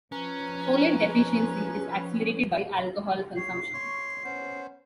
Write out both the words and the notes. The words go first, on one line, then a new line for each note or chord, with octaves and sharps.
Folate deficiency is accelerated by alcohol consumption.
F3 C#4 B4 A#5
C#5 C7
C#5 C6 C#6
B3 C#4 C5